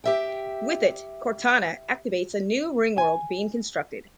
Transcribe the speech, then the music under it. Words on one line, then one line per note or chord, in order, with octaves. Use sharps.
With it, Cortana activates a new ringworld being constructed.
G4 E5 G5
G#5